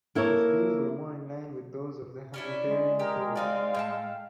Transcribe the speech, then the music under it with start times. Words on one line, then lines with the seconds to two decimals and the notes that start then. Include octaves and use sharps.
His views were more in line with those of the Hanoverian Tories.
0.15 A#3 E4 A4 A#4 C#5
2.34 C#4 D4 E4
2.65 G#3
2.99 G4 G#4 A#4
3.36 C4 D#4 D5 F5
3.74 A2 G5 A5